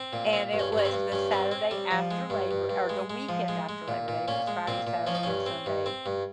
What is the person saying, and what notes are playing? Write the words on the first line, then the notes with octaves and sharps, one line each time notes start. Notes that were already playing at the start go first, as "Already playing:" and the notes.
and it was the Saturday after Labor or the weekend after Labor day, it was Friday, Saturday, and Sunday,
Already playing: C4
A#2
C4
G2
C#4
G2
C#4
C4
G2
G2 C#4
C4
C4
G3
F3
G#3
G2
G2
G2
G#3
G#3
F3
G#3
G#3
A#2
A#2
A#2 C#4
G#3
A#2 C4
A#2
F3 C#4
D#4
G2 C#4
C4
G2
C4
G2